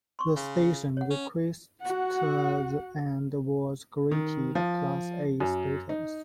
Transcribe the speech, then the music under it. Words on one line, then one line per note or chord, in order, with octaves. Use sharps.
The station requested and was granted Class A status.
C6 C#6
C#3
C#5 F#5
C#4
F#4 F#5
D#3
F3
F#2
D#4